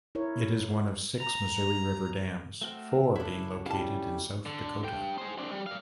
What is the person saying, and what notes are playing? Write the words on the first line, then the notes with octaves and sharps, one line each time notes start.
It is one of six Missouri River dams, four being located in South Dakota.
E4 A#4 C#5
A#5
A3 C4 F#4 F6
C#3 D4 E4 E5
G3 C#4 E4 F#4 E5 F5 A5
D3
G2 G5
G#4 C5
C4 D4
G3
D5 F5